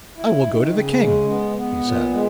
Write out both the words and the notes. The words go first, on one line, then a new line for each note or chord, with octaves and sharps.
"I will go to the king," he said.
E4
D#3
C#3
G#3
B3
B3
A#2
G#3